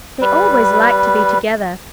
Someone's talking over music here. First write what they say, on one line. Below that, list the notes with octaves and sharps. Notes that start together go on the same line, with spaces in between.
They always like to be together!
G3 B4